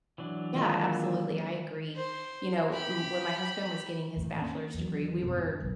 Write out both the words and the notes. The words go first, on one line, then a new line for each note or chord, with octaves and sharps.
Yeah, absolutely, I agree. You know, m when my husband was getting his bachelor's degree, we were,
E3 F#3 D4
A#2 D#3 G#3 D#5
C5
G4 B5
E2 A2 D#3
A#3 C#4
E2 F#3
G1 F2 G#2 B2
F#1 B1